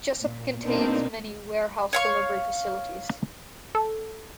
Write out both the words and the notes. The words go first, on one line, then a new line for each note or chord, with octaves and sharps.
Jessup contains many warehouse delivery facilities.
A#2
B2 A#3 C4 D4 D#4
C#5 F5 C#6
A4